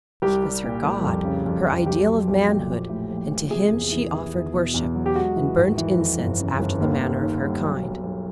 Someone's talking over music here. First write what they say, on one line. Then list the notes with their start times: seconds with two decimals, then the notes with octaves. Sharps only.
He was her god, her ideal of manhood, and to him she offered worship, and burnt incense after the manner of her kind.
0.22 C2 G4
0.43 G3
0.64 A#2
0.84 C2
1.04 F2
1.24 C#3
1.46 F2
1.67 F2
1.86 B1 G4
2.08 B1
2.28 B1
2.49 A#2
2.70 A#1
2.89 A2
3.10 F3
3.31 A#1
3.51 C3 G#4
3.72 E2
3.92 E3
4.13 E3
4.34 E2
4.54 B2
4.74 E2
4.95 F#3
5.06 G4
5.15 G#3 F#4
5.36 E3
5.57 G#1
5.78 E3
5.98 F2
6.19 G1
6.39 C#3
6.60 G1
6.81 D#2
7.01 D#2
7.21 D#3
7.42 G3
7.63 B1
7.83 B1
8.03 B1